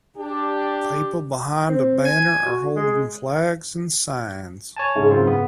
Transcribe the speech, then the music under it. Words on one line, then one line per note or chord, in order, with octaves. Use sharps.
People behind a banner are holding flags and signs.
D4 G4
C4
G#5
F#4
G#3
C#5 G#5 A5
G#2 C#3 G#3
F#2 C4 F4
B3